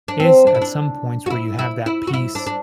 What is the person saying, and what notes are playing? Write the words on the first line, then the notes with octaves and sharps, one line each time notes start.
is at some points where you have that peace,
D4
C4
D4
E4
D4
F#4
E4
E4
E4
F#4
E4
D4
D4